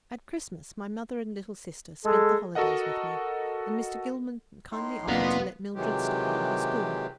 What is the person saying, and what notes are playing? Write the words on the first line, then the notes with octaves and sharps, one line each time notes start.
At Christmas, my mother and little sister spent the holidays with me, and Mr. Gilman kindly offered to let Mildred study in his school.
G#3 A4
F#4 A4 A#4 D#5 F#5
A2 D#4 C6
F1 F#3 A#3 C4 D4 F4 B4 F#5
C3 D#3 E3 F#3 G#3 G4